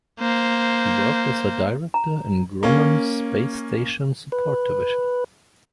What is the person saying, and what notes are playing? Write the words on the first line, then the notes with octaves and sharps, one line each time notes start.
He worked as a Director in Grumman's Space Station Support Division.
A#3 C5
A#5
A#3 C#4
B4